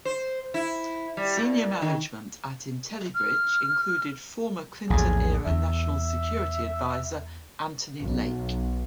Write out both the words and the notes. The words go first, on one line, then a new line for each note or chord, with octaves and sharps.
Senior management at Intellibridge included former Clinton-era National Security Advisor Anthony Lake.
C5
E4
G3
A#2
D#3
F6
A#1 E2 A2 G#4
E2 E5
B1